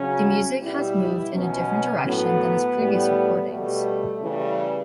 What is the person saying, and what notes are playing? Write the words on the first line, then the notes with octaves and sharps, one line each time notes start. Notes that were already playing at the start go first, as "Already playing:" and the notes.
The music has moved in a different direction than his previous recordings.
Already playing: C#3 F#3 C#4
B2 G3 E4
B2 F#3 C#4
A2 F#3 B3
A2 G3
B2 G3 A3
C#3 E3 G3